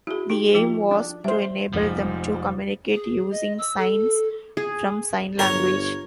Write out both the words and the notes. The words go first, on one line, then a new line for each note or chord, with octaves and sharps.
The aim was to enable them to communicate using signs from Sign Language.
E4 F#4 G#4
D#4 G4
F3 F4 G5
D4
G3 C5 E5
F1 G#2 F3 G3
G#4
D#5
E6
A4
G#4
G1 A#4 C#5